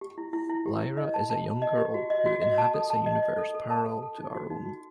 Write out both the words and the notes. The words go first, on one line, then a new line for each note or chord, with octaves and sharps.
Lyra is a young girl who inhabits a universe parallel to our own.
G4
E4
E4
E4
G4
E4
D#5
A5
A5
A5
D#5
G4
F#4
D#5
F#4
D#5
A5
A4
A5
D#5
D#5
A4
A4
A5
A4
A4
D#4
F#4
D#4
F#4